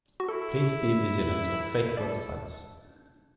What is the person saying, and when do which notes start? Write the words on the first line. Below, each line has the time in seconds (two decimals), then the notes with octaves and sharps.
Please be vigilant of fake websites.
0.20 F#4
0.28 E4 A4
1.97 A4 D5